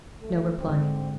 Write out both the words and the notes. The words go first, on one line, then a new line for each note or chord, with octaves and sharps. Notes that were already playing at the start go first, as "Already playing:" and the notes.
No reply.
A3
G#2 D3 C4